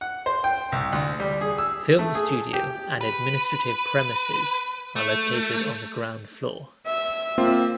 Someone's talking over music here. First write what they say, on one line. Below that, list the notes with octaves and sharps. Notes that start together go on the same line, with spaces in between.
Film studio and administrative premises are located on the ground floor.
F#5
C5
G5
C2
D2
G3
G#4
E6
A3
G#4
G4
B4
A3
E5
A#3 C4 F4